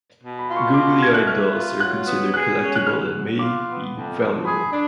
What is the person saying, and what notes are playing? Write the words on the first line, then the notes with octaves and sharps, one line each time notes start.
Googly eyed dolls are considered collectible and may be valuable.
B2
B5
F4
C#6
B2 D6
A3 G#6
F#6
B4 F6
F4
F#3 F#6
B3
G#4 F#6
C#4
F#6
G#2 F6
F#3
F4 D6
B3
F2
F3
G#4 B5
D4